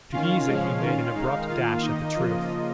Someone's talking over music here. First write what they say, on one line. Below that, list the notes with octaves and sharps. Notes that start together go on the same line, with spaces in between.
To ease it he made an abrupt dash at the truth.
D#3 C#4 F4 F5
C#3 F3 G#3 C#4
D#3 C#4 F4
D#3 G#3 D#4
D#3 A#3 F4 F5
D#3 A#3 D#4 D#5
C#3 F3 A#3 F4